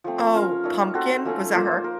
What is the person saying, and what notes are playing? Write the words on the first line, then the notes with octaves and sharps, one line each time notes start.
Oh, Pumpkin? Was that her?
F3 A3 C4
C#4 F4 A#4 F5
A3 D#4 A4 C#5
C4 F#4 A4 C5
F3 A3 C#4 A4
F3 A#3 F4 C5
A#4